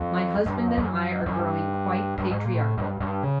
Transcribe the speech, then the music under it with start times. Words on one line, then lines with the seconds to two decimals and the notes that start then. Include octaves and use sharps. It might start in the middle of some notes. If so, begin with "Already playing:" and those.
My husband and I are growing quite patriarchal.
Already playing: F2
0.46 G2
0.57 F#2
0.67 F2
0.78 F#2
1.26 F#2
1.38 G2
2.18 G2
2.31 G#2
2.45 A#2
2.53 A2
2.78 G2
3.00 G2
3.23 C#3